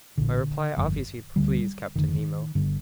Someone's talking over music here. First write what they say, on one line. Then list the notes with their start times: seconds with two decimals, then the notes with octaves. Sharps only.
My reply obviously pleased Captain Nemo.
0.17 A#1 A#2 D3
0.77 G1 F2 D3
1.36 D2 D3 G3
1.96 F1 D#2 D3 D#3
2.55 G1 G2 D3